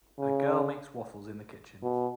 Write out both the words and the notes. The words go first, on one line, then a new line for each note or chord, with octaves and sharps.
A girl makes waffles in the kitchen.
C#3
B2